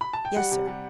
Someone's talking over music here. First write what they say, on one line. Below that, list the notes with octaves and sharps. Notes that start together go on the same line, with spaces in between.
"Yes, sir."
B5
A5
G5
G3 F#5
C3
G3